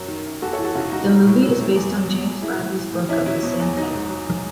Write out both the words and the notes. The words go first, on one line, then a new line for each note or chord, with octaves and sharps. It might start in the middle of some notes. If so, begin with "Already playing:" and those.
The movie is based on James Bradley's book of the same title.
Already playing: F#2 F#3
D#3
F#2
E2 F#4 A4
A4 C#5
E3
F#4 A4
C#3 D#4 F#4
E2 D#4 F#4
F#3
A2
F#3
A2
E2
F#3
B2
E2
E3 E4 G#4
A2
E3
A2
E2 C#4 E4
F#3 C#4 E4
B2
E2
F#3 D#4
G#2
F#3
G#2